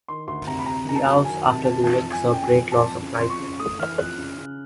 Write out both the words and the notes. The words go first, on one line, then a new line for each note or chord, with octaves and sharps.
The hours after the wreck saw great loss of life.
D#3 C6
D2 C6
C3 A#5
B5
C3 A#5
D#3 A#5
A5
F#3
D#3 G#5
C3 A5
C3 A5
E3 A5
F2
G#5
C#3
G5
F2 G#5
F2
A5
F2
C#3
F2 C6
C#6
C#3
A3 D#6
E3 F6
F2 F#6
C#3
C#3